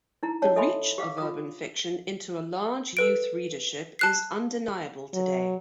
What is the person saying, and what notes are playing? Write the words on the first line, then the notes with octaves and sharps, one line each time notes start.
The reach of urban fiction into a large youth readership is undeniable today.
D#4 E4 A#5
C#4 C#5 D#5 F#5 A5
A4 D#5 E5 G#5 B5 C6
G4 F5 D6
F4 D#6
A4 B4 D7
A5 F#6 C7
F#3